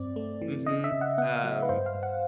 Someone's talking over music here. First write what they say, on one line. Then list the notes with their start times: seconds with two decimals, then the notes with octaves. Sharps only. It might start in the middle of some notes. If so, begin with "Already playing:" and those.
Mhm, um,
Already playing: G2 C4 D5
0.16 A3
0.42 E3
0.66 C#3 D#5
0.84 E5
0.92 C#3
1.01 F#5
1.18 B3 F#5
1.35 F5
1.44 F#3
1.52 E5
1.62 B4
1.69 G2 C5
1.86 F5
1.95 G2
2.03 F#5